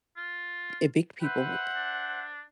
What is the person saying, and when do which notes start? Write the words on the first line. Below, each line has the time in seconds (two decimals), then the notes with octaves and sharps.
evict people w
0.17 F4
1.21 B4 C5 E5 F#5
1.75 D4